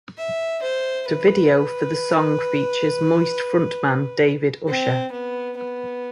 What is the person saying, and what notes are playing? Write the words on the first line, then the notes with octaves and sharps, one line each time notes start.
The video for the song features Moist front man David Usher.
E5
C5
B4
C4
B3
B3